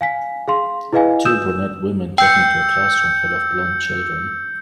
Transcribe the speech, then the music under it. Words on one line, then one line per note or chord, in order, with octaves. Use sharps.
Two brunette women talking to a classroom full of blond children.
F5 G#5 B6
G#4 F5 C6
E4 G#4 B4 D#5 F5 G#5
D#6 E6 G6 E7
G5 E6 G6 C#7